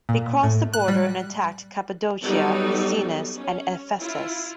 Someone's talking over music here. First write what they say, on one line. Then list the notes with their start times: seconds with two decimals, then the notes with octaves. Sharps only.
They crossed the border and attacked Cappadocia, Pessinus, and Ephesus.
0.09 A#2
0.43 A2
0.73 F#6
0.88 G3
2.23 F#3 G3 B3 D#4 A4
3.37 C#4
4.00 E4 F4